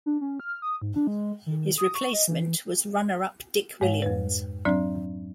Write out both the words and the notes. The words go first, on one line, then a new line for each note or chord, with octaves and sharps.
His replacement was runner up Dick Williams.
D4
C#4
F6
D#6
G#2
D4
G#3
D#3
D#6
C#6
D#5
E3
G#2 G#3 C#5 F5
F2 B4
F#3 C4 D4 D5